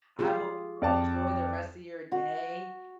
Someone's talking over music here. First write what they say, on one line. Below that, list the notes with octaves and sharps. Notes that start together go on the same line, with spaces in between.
I hope you enjoy the rest of your day
F4 G4 G#4
F2 D5 A5
F#4